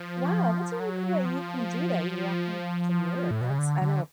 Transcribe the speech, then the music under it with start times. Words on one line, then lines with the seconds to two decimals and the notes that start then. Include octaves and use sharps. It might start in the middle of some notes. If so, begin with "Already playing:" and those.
Wow, that's really cool that you can do that, you can walk home from work. That's I know
Already playing: F3
0.80 F#3
1.25 F3
3.31 A2
3.41 B2
3.50 C#3
3.59 D3
3.82 D3